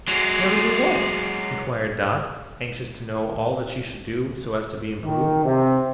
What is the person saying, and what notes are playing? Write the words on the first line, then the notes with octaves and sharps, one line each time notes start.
"Never do what?" enquired Dot, anxious to know all that she should do, so as to be improved.
F#3 G#3
D#3
C3